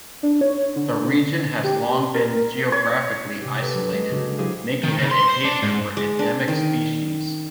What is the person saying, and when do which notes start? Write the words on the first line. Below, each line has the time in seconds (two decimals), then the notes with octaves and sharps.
The region has long been geographically isolated, making it a haven for endemic species.
0.23 D4
0.41 C#5
0.76 D3
1.64 G4
2.14 A#4
2.72 C#5
3.41 C3 C#4 G4
3.62 A#3 G4 A4 B4
3.74 F#3
3.92 G#3
4.10 C#3 D4 F#4 A4 C#5
4.38 F#3 E4 G4 G#4 C5 F5
4.83 D#3
4.98 C#3
5.11 C6
5.28 C5
5.44 D4
5.62 G#2
5.97 G#3
6.19 D4
6.48 D#3